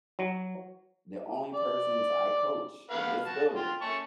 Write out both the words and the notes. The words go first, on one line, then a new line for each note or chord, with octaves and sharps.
the only persons I coach in this building
F#3
D5
B4 F5 F#5
F#4 A5
F4 G5
C#4 A5 C#6